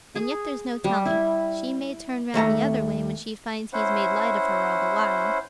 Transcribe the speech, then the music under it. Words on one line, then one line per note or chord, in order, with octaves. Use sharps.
And yet there's no telling--she may turn round the other way, when she finds he's made light of her all the while.
G#4
G3
E4
D#2 A3 A5 A#5
C#4 E4 C5 F#5